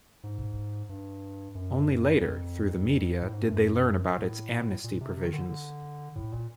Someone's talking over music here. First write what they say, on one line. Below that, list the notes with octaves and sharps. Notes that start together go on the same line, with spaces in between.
Only later, through the media, did they learn about its amnesty provisions.
G#2
G2
F#2
F2
A2
G#2
G2
F#2
A2
A#2
C3
C3
D#3
D3
D3
A2
A#2